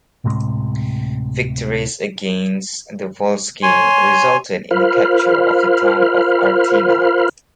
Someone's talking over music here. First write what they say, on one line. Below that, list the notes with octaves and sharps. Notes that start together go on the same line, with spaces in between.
Victories against the Volsci resulted in the capture of the town of Artena.
D1 A2 C3 G#3
C#5 G#5 C6
F4 A#4 C5 F5 B5 F6